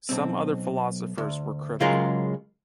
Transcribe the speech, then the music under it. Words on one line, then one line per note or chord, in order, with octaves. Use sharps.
Some other philosophers were critical.
B1 C4
D2
C#3 F#3 G#3 F4 G#4 A#4